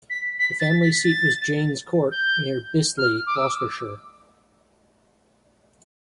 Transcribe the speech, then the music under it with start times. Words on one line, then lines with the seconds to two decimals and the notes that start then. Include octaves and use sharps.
The family seat was Jaynes Court, near Bisley, Gloucestershire.
0.10 B6
0.39 B6
0.60 A6
0.81 B6
1.03 A6
2.11 G6
2.98 F6
3.27 D6
3.36 E6
3.46 D6